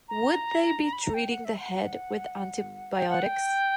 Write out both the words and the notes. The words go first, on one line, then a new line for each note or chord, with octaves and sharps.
Would they be treating the head with antibiotics?
A#5
B5
A#5
G5
F#5
E5
F#5
G5
F#5
G5